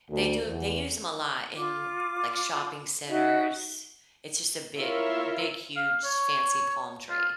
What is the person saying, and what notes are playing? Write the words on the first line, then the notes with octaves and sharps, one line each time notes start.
They do they use 'em a lot in, like, shopping centers. It's just a bit big, huge, fancy palm tree.
D2
E2
F4 D6
D#4 F#4 D#5 E5
E4 F4 A#4 C#5 E5
F5
C#5
F4